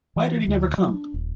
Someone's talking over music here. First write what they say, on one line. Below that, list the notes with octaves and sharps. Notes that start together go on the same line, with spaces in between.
Why did he never come?
E3
D2
F#3
D4
D#1